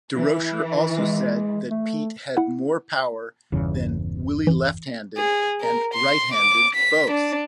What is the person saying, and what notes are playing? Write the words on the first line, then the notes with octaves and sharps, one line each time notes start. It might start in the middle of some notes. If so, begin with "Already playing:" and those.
Durocher also said that Pete had more power than Willie-left-handed and right-handed both.
E3
G#3
A3
E4 F#5
G1 E2 C#3
E3
G#4
A#4
C6
D6
B6
D4